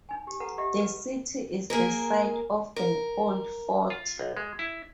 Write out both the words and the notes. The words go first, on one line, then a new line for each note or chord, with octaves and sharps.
The city is the site of an old fort.
D4 D#4 G#5
G4
A4 B4 F#5 A#5
G4 D#5 E5 F#5
B4
A#3 G#4 A#4
A#4
F4
B1
G#3
E4